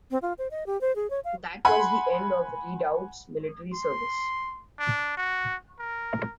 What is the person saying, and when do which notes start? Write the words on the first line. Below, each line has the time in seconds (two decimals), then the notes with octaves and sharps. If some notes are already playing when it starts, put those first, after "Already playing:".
That was the end of the Redoubt's military service.
0.11 C4
0.22 F4
0.39 C5
0.51 D#5
0.66 G4
0.81 C5
0.96 G#4
1.10 C#5
1.25 F5
1.65 F#5 G#5 B5 C6
3.73 C6
4.79 D4
5.17 F#4
5.79 A#4